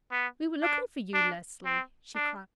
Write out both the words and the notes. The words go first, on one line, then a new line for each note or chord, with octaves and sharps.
"We were looking for you, Leslie," she cried.
B3
D4
D4
C4
D4